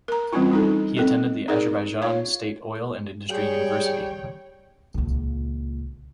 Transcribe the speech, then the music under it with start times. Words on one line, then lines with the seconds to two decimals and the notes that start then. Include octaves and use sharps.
He attended the Azerbaijan State Oil and Industry University.
0.08 A#4 A#5
0.33 E3 G3 C4 C#4 E4 F4
0.51 G3 D#4 A4
0.97 C4 A4 D#5
1.48 D#4 G#4 A#4 D5
2.02 F4 C#5 F5
3.29 G3 G#4 C#5 G5
4.94 C#2 A#2